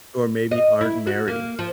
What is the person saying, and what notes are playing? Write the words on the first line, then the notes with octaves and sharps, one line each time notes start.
or maybe aren't married.
D#5
E4
F#4
A#3
F3